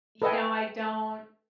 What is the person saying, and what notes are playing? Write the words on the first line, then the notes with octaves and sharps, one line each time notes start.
you know, I don't
A4 B4 D#5 E5 G5 G#5